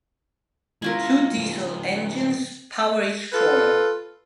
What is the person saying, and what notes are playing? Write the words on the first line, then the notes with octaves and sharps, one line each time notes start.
Two diesel engines power each crawler.
G#3 E4 F4 A#4 F5
C#3 F3
F4 A4 B4